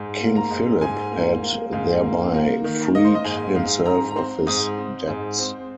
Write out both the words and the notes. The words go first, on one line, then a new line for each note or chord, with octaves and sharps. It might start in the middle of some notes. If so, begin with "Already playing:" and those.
King Philip had thereby freed himself of his debts.
Already playing: G#2
A#3
A#5
G#2
G#2 G#5
A#3
A#3
G#2 F5
A#3
A#3
D#3
A#3 D#5
C5
D#5
G#2 G#5
G#2 F5
G#2 A#5
A#5
C4 C6
G#2 D#6
C4
G#2
C4